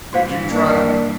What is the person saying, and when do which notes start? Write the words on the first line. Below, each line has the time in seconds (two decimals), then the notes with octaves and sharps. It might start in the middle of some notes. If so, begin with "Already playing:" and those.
Did you try?'
0.13 G2 E3 F#4 C5 F5
0.51 A#3 D4